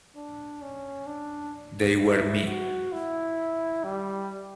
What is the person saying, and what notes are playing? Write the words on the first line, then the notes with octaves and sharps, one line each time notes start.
They were me.
D4
C#4
D4
E4
F#4
E4
G3